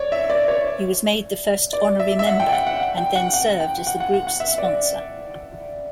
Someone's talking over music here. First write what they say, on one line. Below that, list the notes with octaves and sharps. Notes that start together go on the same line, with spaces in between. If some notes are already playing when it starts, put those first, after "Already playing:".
He was made the first honorary member and then served as the group's sponsor.
Already playing: C#5 D5
E5
D5
C#5
D5
E5
E5
F#5
G5
F#5
F#5
F#5
G5
F#5
F#5
G5
F#5
F#5
F#5
F#5
E5
D5